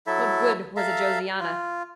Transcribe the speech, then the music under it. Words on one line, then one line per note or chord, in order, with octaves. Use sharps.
What good was a Josiana?
F#3 E4 A4 E5
A4 E5 F5 A#5
F4